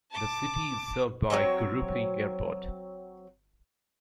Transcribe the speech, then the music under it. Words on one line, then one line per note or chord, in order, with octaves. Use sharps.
The city is served by Gurupi Airport.
A5 D6
F#3 G3 C4 C#5